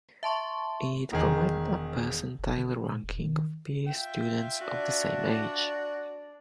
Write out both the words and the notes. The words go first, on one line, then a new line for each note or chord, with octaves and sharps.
It provided a percentile ranking of peer students of the same age.
E5 A5 C6 C#6
E1 D#3 G#4
F#1
D3
A#2
E1
D#3
F4 E5 G5
D4 F#4 D5